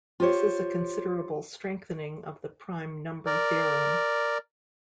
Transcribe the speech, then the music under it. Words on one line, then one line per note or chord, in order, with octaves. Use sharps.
This is a considerable strengthening of the prime number theorem.
F4 G4 C5 C#5
A#4 D5